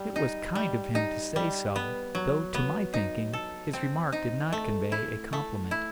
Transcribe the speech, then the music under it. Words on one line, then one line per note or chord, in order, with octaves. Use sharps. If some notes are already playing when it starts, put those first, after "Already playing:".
It was kind of him to say so; though, to my thinking, his remark did not convey a compliment.
Already playing: G3
D#4
G3
D#4
G3
B3
F#3
B3
D#4
A4
C4
D#4
A3
E4
A3
E4